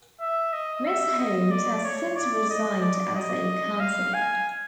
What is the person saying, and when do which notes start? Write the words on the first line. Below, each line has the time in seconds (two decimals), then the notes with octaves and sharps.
Ms. Holmes has since resigned as a councillor.
0.20 E5
0.53 D#5
0.86 E5
1.19 D#5
1.51 D5
1.84 C#5
2.16 D5
2.50 D#5
2.82 D5
3.15 D#5
3.80 F5
4.14 G#5